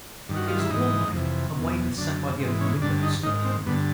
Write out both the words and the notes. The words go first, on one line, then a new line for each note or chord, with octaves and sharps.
It was a warm night, and Weymouth sat by the open window, smoking.
G2 D#3
F#4
F4
E4
G#2 E3 D#4
F2 C3 E3
E2 B2
F#2 D3 D4
G#2 E3 C4
C#4
G2 D3 D4
D#4
G#2 D#3 D#4
C4
G2 D3 B3